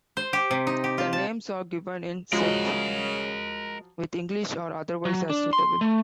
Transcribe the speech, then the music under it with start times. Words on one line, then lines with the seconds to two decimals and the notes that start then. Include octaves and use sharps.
The names are given in Czech, with English or otherwise as suitable.
0.17 C5
0.33 G4
0.51 C3
0.67 D#4
0.84 G4
0.98 F4
1.13 A5
2.33 C#3 F3 F#3 G#3 A#4 F#5
5.05 F#3
5.30 D4
5.53 C6
5.81 A3